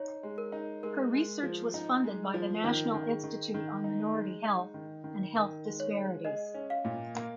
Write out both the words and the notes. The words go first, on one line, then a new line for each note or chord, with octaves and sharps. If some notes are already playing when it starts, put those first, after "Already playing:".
Her research was funded by the National Institute on Minority Health and Health Disparities.
Already playing: D#4 C#5
G#3
A#4
D#4
G#3 A#4
G#3
F3
D#4
G#3
F3
D#3 A#4
D#3
G#4
D#3
D#3
D#4
G#3
D#4
D#3
D#3
D#3 A#4
G#3
C#5
G#3
G#4 D#5
C#4
F5
A#2
A#3